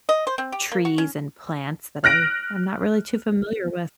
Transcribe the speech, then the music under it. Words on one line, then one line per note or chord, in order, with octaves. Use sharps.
trees, and plants that I am not really too familiar with.
D#5
C5
C4
G4
A#3
F#4
C#4
F6 F#6 A#6 D7